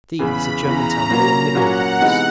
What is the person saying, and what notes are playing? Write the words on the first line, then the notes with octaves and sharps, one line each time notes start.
These are Germantown wool and mineral dyes.'
E2 C#3 E3 B5
E2 C#3 E3 A#5
A#2 F#3 A#3 C#4 F#4
A#2 F#3 A#3 C#4 F#4 F#5
C3 E3 G#3 B3 D#4